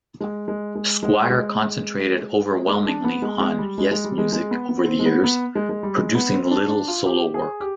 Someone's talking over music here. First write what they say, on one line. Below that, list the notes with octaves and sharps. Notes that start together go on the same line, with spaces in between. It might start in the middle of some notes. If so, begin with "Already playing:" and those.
Squire concentrated overwhelmingly on Yes' music over the years, producing little solo work.
G#3
G#3
G#3
G#3
G#3
G#3
D4
B3
G#3
G#3
G3
G#3
G#3
G3
G#3
G#3
B3
B3
C4
G#3
B3
B3
G#3
G#3
G3
G#3
B3
C4
D4
D4
F4
G4
G#4
G4